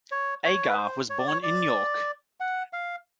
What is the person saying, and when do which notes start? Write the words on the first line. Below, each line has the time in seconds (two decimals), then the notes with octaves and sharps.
Agar was born in York.
0.11 C#5
0.45 C#5
0.69 B4
0.77 C5
1.10 C#5
1.19 D5
1.27 C#5
1.43 D5
2.40 F#5
2.73 F5